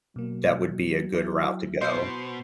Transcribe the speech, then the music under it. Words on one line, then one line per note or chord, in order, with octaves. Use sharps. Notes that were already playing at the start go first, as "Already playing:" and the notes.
that would be a good route to go.
B2 F#3 A#3
E4
B2 C5 C7